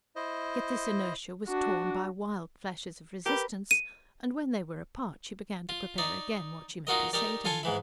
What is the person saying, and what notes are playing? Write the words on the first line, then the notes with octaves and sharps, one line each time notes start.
Yet this inertia was torn by wild flashes of resistance, and when they were apart she began to prepare again what she meant to say to him.
E4 C5 D#5
D4 F#4
G4 A#4 B4
D#7
F4
D#4 D5
D#4 F4 F#4 A#4 D#5
D#4 G4 A#4 D5
F4 A4 G#5 A5
G#2 E3 E4